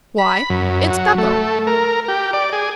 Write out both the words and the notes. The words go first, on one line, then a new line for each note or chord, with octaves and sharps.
Why, it's Beppo.
B5
F#2
F#3
A3
A#4
G4
D5
G#4